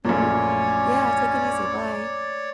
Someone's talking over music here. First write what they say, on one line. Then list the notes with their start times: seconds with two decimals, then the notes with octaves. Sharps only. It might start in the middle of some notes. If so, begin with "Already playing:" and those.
Yeah, take it easy, bye.
0.05 A#1 F#2 A3 A#3 C#4 F4 C#5 D5